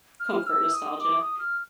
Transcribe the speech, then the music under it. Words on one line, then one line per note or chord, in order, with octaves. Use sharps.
comfort nostalgia.
F6
E6
D#6
D6
D#6
F6